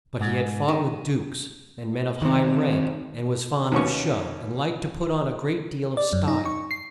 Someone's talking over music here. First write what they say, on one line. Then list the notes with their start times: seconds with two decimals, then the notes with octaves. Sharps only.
But he had fought with dukes, and men of high rank, and was fond of show, and liked to put on a great deal of style.
0.21 G#2
0.68 D#3
2.22 D#3 C4
3.72 D#2 B2 C#4 C#6
5.97 D5
6.13 F#2
6.28 D#4
6.45 C#6
6.71 C7